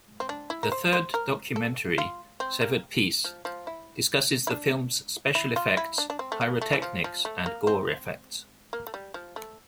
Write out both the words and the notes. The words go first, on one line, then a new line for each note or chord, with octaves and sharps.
The third documentary, "Severed Piece", discusses the film's special effects, pyrotechnics and gore effects.
C4
D4
E4
A#4
C5
C5
A#4
A4
F4
C4
A#3
F3
F3
E4
E4
D4
E4
F4
E4
D4
D4
C4
A3
A#3
A3
E3
F3
F3
A3
A#3
C4
A#3
A3
G3
F3
A3